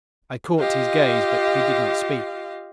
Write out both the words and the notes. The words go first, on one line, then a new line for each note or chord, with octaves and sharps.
I caught his gaze but he did not speak.
F4 G4 D#5 F5